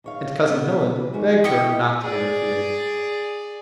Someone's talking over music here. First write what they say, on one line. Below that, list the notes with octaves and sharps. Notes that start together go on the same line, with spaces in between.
And Cousin Helen begged her not to interfere.
D#2 C#5 F5
B3
E3 B4
D#3 G#3 F#4
E4 G4 D#5 C#6
G#4 D5